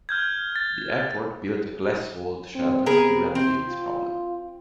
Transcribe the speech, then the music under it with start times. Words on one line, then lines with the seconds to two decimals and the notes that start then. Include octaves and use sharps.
The airport built a glass-walled shelter to remedy this problem.
0.09 F6 G6 G#6
0.56 A6
2.55 C4
2.86 C3 B3 G#4 A#4
3.35 C4
3.68 F4